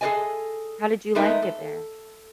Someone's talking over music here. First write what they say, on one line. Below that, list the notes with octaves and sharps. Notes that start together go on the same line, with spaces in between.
How did you like it there?
G#4 A4 B4 D5 D#5 G#5
G#3 A3 B3 D#4 A#4 E5
A4